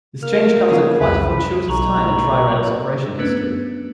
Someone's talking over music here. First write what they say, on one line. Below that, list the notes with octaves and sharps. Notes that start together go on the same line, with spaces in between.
This change comes at quite a fortuitous time in Tri-Rail's operation history.
A#3 F6
C#3 G#4
C2 F2 B4
B1 A#5 B5 C#6
A3 B3 C#4 D4 B4